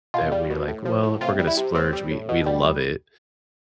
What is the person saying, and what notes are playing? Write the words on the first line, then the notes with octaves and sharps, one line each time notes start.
that we're like, "Well, if we're gonna splurge," we we love it,
B2 F4
G3
B2
A2
F3
A2
C3 F4
G3
E4
C3
A2 C4
G3
A2
B2
G3